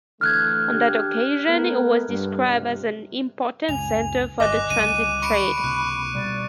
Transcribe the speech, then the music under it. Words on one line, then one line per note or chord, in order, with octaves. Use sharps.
On that occasion it was described as an "important centre for the transit trade".
D3 E3 A3 F6 F#6 G#6
D4 G4
A3 B3 A#4
G2
C#2 G2 C3
C#2 F#2 G#5 F7
G1 D#5 G#5 D6 F#6
C#2 D3 G3 D#7
B5 C#6 C#7 D7
C#2 C3 A#3 F#6
B2 G3 D5